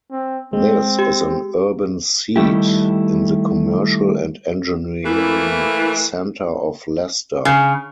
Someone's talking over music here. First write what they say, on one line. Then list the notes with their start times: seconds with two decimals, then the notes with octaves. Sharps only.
This is an urban seat in the commercial and engineering centre of Leicester.
0.12 C4
0.53 G#3 C4
0.99 G4
2.36 D#3 G3 A3 E4 G4
5.04 E3 A3 A#3 E4
7.45 C#3